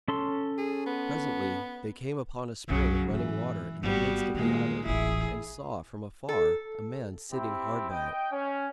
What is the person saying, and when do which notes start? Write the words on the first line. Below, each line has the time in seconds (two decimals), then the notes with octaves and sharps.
Presently they came upon a spring of running water in the midst of the island and saw from afar a man sitting hard by it.
0.08 C#4 A4 C6
0.58 G#4
0.86 B3
2.68 F#1 B1 C#3 F#3
3.11 G#2 B2 E3
3.83 G#1 G3 B3 F#4
4.35 A#2 D#3 G#3 A#3
4.85 D1 A1 E4 G#4
6.29 A4
7.32 C4 E4 G4
7.88 D#5 G5
8.31 C#4